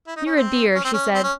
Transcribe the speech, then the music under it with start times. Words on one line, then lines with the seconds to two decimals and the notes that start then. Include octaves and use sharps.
'You're a dear,' she said.
0.07 E4
0.16 D#4
0.26 C#4
0.36 C4
0.75 C#4
0.85 C4
0.94 C#4
1.15 C4
1.24 C#4